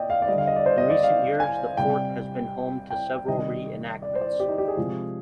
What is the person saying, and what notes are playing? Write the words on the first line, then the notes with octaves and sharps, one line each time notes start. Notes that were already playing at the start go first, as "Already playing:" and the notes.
In recent years, the fort has been home to several re-enactments.
Already playing: A#2 D5 D#5 G5
F5
D5
D3 G3 D#5
F5
D#5
D5
C5
D#5
D5
F5
G#5
C3 G3 G5
G5
C3 D#3 G3 D#5
D5
C5
D5
G4
D#4
G4
G#4
C3 F3 G#3